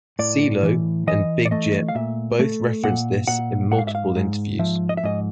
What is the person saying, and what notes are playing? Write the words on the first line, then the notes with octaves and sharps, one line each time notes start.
Cee-Lo and Big Gipp both referenced this in multiple interviews.
A2 D5
E3
E3 D#5
D5
A3 D#5
F5
A#2 E5
A3
A#2 F#5
A#2 F#5
G#2 F#5
F5
E5
F5
G#2
F3 E5
D#5
E5
G#2 D#5